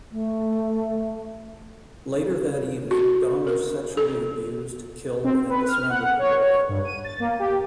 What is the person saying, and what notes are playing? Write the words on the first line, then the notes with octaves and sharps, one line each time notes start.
Later that evening Dahmer sexually abused, killed, and dismembered the boy.
A3
F#4
A#4
A4
C4
B4
F6
F#5
C#5
G2
D#7
A6
A#3
G4